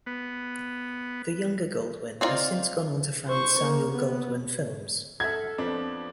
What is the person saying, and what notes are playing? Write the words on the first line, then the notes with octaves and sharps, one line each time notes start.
The younger Goldwyn has since gone on to found Samuel Goldwyn Films.
B3
C4 D4 D#4 F4 D5
C5 C#6
A#3
B3
A4 E5 F#5 G#6
F2 F3 B3 D4